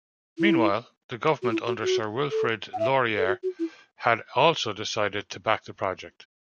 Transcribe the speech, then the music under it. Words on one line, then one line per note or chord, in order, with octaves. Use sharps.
Meanwhile, the government, under Sir Wilfrid Laurier, had also decided to back the project.
E4
F#4
E4
F#4
F#4
A4
F#5
E5
A4
F#4
F#4
E4